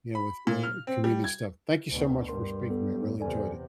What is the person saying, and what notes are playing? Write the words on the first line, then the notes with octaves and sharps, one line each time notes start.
you know, with the community stuff. Thank you so much for speaking to me, I really enjoyed it.
B5
A#2
F6
C4
G3
G#6
D2 B2
G2 A#4 C6
B3 A4
E2 C3 A4 D5 G#5